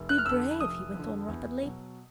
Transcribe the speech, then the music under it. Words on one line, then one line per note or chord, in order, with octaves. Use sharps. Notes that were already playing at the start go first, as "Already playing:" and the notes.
'Be brave,' he went on rapidly.
Already playing: F1
F#6
F6
F2 D3 E6
F1 D#6
F2
D3
E2
B2 F#3